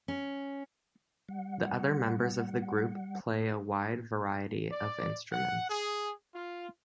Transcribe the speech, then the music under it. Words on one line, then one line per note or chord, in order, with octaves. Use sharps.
The other members of the group play a wide variety of instruments.
C#4
G3 F#5
D5
F#5
G#4
F4